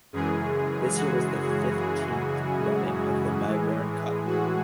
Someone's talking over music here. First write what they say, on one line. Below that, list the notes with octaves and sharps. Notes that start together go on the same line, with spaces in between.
This year was the fifteenth running of the Melbourne Cup.
F#2 C#3 E3 G#3 G#4
F#4
G#4
G#4
A2 E3 G#3
F#4